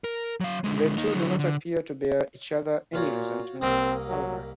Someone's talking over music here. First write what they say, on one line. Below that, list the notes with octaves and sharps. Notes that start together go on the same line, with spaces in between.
The two do not appear to bear each other any resentment, however.
A#4
F#3 F5
D3 G#3
A#3 D#4
D3 F#3
D3
A#2 F4 F#4 C#5
C2 A#3 C4 D#5
F#3